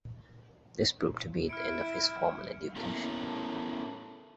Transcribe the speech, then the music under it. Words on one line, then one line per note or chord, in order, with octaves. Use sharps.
This proved to be the end of his formal education.
E4 F6 C#7 D7
A3 B3 C#4 E4 A4 A#4